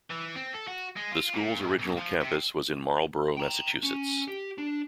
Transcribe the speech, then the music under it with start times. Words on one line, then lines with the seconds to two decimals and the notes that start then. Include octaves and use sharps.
The school's original campus was in Marlborough, Massachusetts.
0.10 E3
0.36 C4
0.54 A4
0.67 F#4
0.97 G#3
1.12 F4
1.34 A#2
1.61 G#2
1.79 B1
1.97 F3
2.21 C3
3.37 G5 A#5
3.83 C#4
4.28 G4
4.58 D4